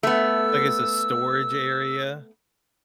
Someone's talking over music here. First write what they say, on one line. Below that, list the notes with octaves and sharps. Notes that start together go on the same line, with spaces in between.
Like, it's a storage area.
A3 B3 E6